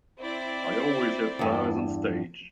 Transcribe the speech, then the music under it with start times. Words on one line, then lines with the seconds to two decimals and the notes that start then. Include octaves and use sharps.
I always have flowers on stage.
0.20 C4 E4 D5
1.39 E2 G2